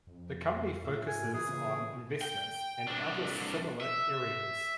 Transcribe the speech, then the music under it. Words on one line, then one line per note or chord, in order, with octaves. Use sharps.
The company focuses on investments and other similar areas.
F2
A2 F4 E5
G#2 G#5
E3 A#3 G#4
C#3
G5
C2 D4
E5